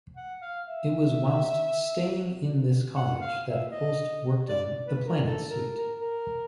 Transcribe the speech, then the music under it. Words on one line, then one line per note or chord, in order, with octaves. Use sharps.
It was whilst staying in this cottage that Holst worked on "The Planets" suite.
F#5
F5
E5
F#5
F5
E5
D#5
D5
B4
A#4
A4
A#4
A#4
A#4